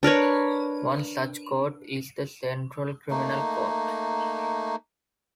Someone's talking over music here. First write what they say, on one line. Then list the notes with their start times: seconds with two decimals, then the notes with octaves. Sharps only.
One such court is the Central Criminal Court.
0.03 D4 A#4 B4 C#5
3.10 A3 A#3 D#4